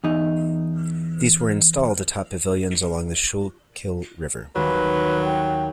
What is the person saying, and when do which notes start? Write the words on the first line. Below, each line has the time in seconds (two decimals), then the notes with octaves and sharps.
These were installed atop pavilions along the Schuylkill River.
0.04 E2 D#4
4.56 D#2 F#3 G#3 B4
5.25 G5